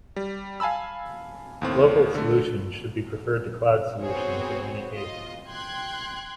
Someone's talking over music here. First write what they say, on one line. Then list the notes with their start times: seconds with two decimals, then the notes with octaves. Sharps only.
Local solutions should be preferred to cloud solutions in many cases.
0.16 G3
0.60 F5 G#5 A5 B5 E6
1.62 D#2 A2 C4
2.15 D3 A3
4.03 B3 C4 F#4 G#4 C5 C#5
4.94 F4 D#5
5.49 G5 C6 F#6 G#6